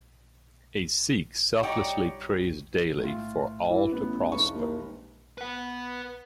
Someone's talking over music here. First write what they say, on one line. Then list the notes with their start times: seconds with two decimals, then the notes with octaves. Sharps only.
A Sikh selflessly prays daily for "all to prosper"'.
1.63 G3 D#4 C#5 D5 F#5 G5
3.00 A2 F4
3.70 E3
3.91 A1 B3
4.32 E1 C#6
4.54 D#2
5.38 B4 F#5